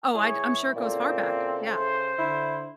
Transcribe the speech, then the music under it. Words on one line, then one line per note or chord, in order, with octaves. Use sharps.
Oh, I'd I'm sure it goes far back. Yeah.
A2 E3 E4 G#4 C#5
A#2 C#3 C4 E4 A4
C5
D3 E4